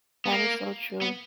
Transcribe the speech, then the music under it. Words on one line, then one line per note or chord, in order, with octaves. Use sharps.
That is so true.
B3
A#3
B3